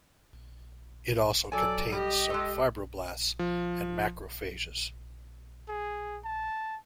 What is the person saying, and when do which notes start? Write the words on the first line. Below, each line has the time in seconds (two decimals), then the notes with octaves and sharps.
It also contains some fibroblasts and macrophages.
1.52 F#3 A4 D5 G#5
1.92 G3 G4 D#5
2.30 G#3 A4
3.39 F3
5.69 G#4
6.25 A5